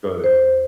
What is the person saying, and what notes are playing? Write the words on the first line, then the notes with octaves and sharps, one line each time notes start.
Go there.
E2 C5